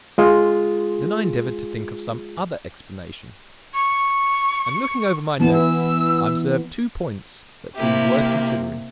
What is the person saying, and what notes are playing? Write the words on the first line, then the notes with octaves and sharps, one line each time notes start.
Then I endeavoured to think of some other explanation; and looking over my notes I observed two points that seemed worth considering.
G#3 F4 G#4
C#6
E3 B3 E4 A5
E6
C3 A#3 E4 G4